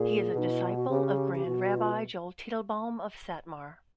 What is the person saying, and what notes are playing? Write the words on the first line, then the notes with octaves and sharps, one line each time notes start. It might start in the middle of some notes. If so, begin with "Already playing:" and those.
He is a disciple of Grand Rabbi Joel Teitelbaum of Satmar.
Already playing: A#2 G#4
B2
D#4
E4
F4
F#4
C#3 G4
G#4
G4
G4
B2 F#4
F4